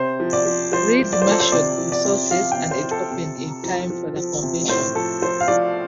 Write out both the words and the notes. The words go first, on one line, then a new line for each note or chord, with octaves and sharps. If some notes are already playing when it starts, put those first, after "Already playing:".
Reed marshaled resources and it opened in time for the convention.
Already playing: C3 C5
F3
D5
F3
F3 C5
F3
D5
F3 C5
A4
C5
C3 D5
F3
D5
C3
F3 F5
G5
C3
C5
F3
A4
C3
C3
F3
F3
F3
C3
A2 C5
F3 A4
F3 C5
F5
F3 D5